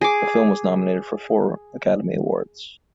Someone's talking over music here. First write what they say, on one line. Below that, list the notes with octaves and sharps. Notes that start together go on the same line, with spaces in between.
The film was nominated for four Academy Awards.
G#4 D6